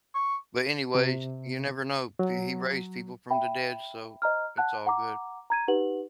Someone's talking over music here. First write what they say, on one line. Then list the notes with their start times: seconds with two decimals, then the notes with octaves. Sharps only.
but anyways, you never know p He raised people from the dead, so it's all good.
0.15 C#6
0.95 C3
2.19 F#3
3.30 E5 G5 B5
4.22 C5 D#5 A#5 F6
4.58 F#5 A5 F#6
4.87 F#5 A#5 D6
5.50 A#5 G#6 D#7
5.68 D#4 G4 B4 F#5 F#7